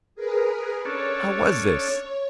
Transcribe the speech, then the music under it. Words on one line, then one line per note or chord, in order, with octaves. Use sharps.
How was this?
G#4 A#4 B4
C#4 D4 A4 C#5